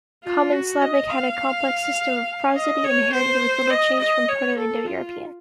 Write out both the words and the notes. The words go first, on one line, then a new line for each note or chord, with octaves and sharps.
Common Slavic had a complex system of prosody, inherited with little change from Proto-Indo-European.
F4
F#4
D#5
F5
D#5
C#5
C5
D#5
D#5
C#5
A4
F4